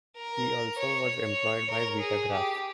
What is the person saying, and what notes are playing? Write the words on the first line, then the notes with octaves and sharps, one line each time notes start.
He also was employed by Vitagraph.
A#4
C#5
C#5
A#4
G#4
G4